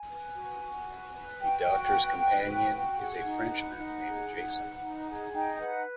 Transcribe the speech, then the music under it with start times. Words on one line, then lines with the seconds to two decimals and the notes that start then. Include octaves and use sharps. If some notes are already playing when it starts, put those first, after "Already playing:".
The Doctor's companion is a Frenchman named Jason.
Already playing: G#5
0.09 B4
0.35 F#4
0.61 F#4
0.87 B4
1.14 B4
1.41 F#4 G5
1.66 F#4
1.92 B4
2.18 B4
2.45 F#4
2.71 F#4
2.97 G#4 F#5
3.23 D#4
3.50 B4
3.76 D#4
4.02 G#4
4.29 D#4
4.54 B4
4.81 D#4
5.06 G#4
5.33 D#4 G5
5.59 B4 F#5